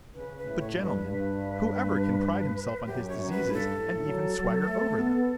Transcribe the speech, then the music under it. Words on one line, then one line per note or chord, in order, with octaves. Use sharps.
But, gentlemen, whoever can pride himself on his diseases and even swagger over them?
C#3 B4
B4
A2
C#5
G2 C#5
B4
G2
F#2 G4
C#5
F#2
B4
G2
A4
A2
F#3
F#3
A3
B3